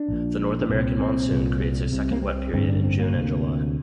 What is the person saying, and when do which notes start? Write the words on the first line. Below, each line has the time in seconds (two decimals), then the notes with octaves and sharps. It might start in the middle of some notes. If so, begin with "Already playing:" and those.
The North American Monsoon creates a second wet period in June and July.
Already playing: D4
0.08 A#1 A#2
0.61 D4
0.69 C2 A#2 C4
1.00 C4
1.31 C2 A#2
1.92 C2 C3
2.11 A#3
2.22 C4
2.53 A1 G2 D3 C4
2.69 D4
2.83 C4
2.99 A#3
3.14 D2 C3